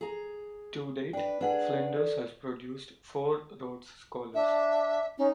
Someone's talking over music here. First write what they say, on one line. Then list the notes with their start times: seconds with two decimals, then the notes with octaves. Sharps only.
To date, Flinders has produced four Rhodes scholars.
0.01 G#4 A#5
1.13 D4 B4 G5
1.41 D4 G#4 B4 F#5
1.96 A4 D5
4.34 D4 E5
5.18 C#4 D#4